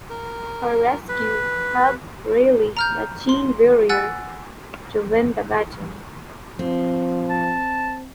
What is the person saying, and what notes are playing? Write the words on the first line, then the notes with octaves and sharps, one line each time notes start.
Her rescue helped rally the Cheyenne warriors to win the battle.
A#4
B4
A#5 F6 G6
C6
F#5 G#5 E6 F#6 A6
F3 C4
A5